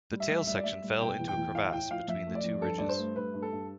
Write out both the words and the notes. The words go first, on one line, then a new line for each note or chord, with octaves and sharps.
The tail section fell into a crevasse between the two ridges.
G3
E5
G3
G3 E5
D5
G3 E5
G3
B2 G5
E2
G5
E2
A2 F5
A2 G5
F3 F5
F2 E5
A3
D5
F2
G2 A4
G2 D5
C5
A3
G2 B4
G2
A4
G2